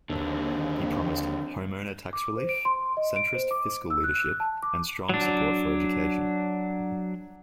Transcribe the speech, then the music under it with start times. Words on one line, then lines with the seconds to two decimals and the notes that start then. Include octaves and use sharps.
He promised homeowner tax relief, centrist fiscal leadership, and strong support for education.
0.09 D#2 D3 C4
2.13 D6
2.37 C5
2.49 D7
2.65 C6
2.97 D#5
3.16 D7
3.35 C5
3.51 D6
3.90 E6
4.04 F#6
4.40 A5
4.63 D6
5.09 F#3 D4